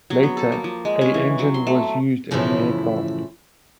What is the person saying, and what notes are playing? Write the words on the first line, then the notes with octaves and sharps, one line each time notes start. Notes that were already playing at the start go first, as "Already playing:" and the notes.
Later, a engine was used in the aircraft.
F#3
B3
A4
A#3
F3
G#3
C#4
E3
F#3
C6
A3
F#2 A2 C#3 E3 F3 E4